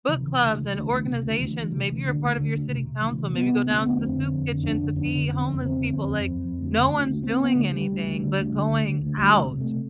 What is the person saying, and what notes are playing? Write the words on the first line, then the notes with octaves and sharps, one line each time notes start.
book clubs and organizations, maybe you're part of your city council, maybe go down to the soup kitchen to feed homeless people, like, no one's doing anything, but going out!
C3 E3
C3
D2
C3
D2
D2
C3
D2
D2 E3
D2
C3 E3
D2
D2 D3
D2
D2 D3
D2
C3
C3
D2 E3
C3
C3 B3
C3
D2 B3
C4
D2 B3
F2 C4
D3
F2
D3
F2 D4
D3
F2 D4
D3
D3 C4
F2
D3 C4
D3
F2 C4
F2
F2
F2
D2
D3
D2
D2
D2 C4
D2 B3
D3 A3
D3 G3
D2
D2
D3
D2
D3
D2
D3
D2
D2 G3
C3
C3
A3